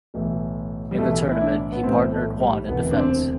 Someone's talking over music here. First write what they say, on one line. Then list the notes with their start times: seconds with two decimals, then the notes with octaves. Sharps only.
In the tournament, he partnered Juan in defence.
0.14 B1 A2 E3
0.91 G3
0.98 B1 A2 E3 A3
1.31 E4
1.41 D4
1.72 B3
1.83 B1 A2 E3 C4
2.12 A3
2.40 G3
2.68 E1 D2 C3 E3 B3
2.91 D4
2.97 C4